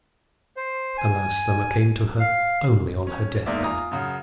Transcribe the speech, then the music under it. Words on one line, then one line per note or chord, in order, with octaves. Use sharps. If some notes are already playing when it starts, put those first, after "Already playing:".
Alas! summer came to her only on her deathbed.
C5
G#5
F5
C#4
E2 G#3 A#3 D#4 D5 E5
F4 G#5 A#5 D#6
F#2 C#3 F#5